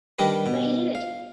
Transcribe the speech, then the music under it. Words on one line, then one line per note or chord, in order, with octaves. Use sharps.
But he did it!
D#3 G3 D4 G4 A#4 B4
B2
F5